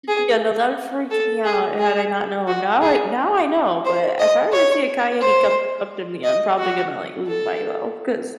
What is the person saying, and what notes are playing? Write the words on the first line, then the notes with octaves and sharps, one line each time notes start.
Yeah, no, that would freak me out had I not known. Now I Now I know, but if I ever see a coyote come t up to me, I'm probably gonna, like, lose myself 'cause
G#4
A4
G#4
G#4
F#4
G#4
C5
D#5
C#5
C5
D#5
F#4
A4